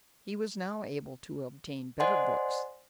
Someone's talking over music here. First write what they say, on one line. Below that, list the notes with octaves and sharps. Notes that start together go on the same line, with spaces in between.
He was now able to obtain better books.
C5 D5 D#5 F#5 G#5 C6